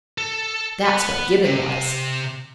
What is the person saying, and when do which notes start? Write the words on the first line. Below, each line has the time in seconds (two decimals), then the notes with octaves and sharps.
That's what Gibbon was.
0.18 A4
0.86 B4 F#5
1.45 C3